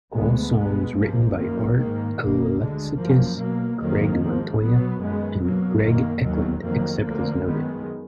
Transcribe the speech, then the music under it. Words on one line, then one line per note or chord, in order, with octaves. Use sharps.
All songs written by Art Alexakis, Craig Montoya, and Greg Eklund, except as noted.
D2 D3 G#3 B3
B2 G#3 B3
G#2 F3 A#3
F#2 D#3 A#3
G#2 D#3 A#3
B2 A#3
D2 D3 G#3
F#2 F3 A#3
B2 F#3 A#3
F2 D#3 F#3 A#3
G#2 F3 A#3
B2 F#3 B3
F#2 D#3 G#3 B3
B2 F#3 A#3
F#2 D#3 A#3
D#2 D#3 F#3
F2 D#3 F#3 A#3
D2 D3 F3 A#3
F#2 D#3 G#3 B3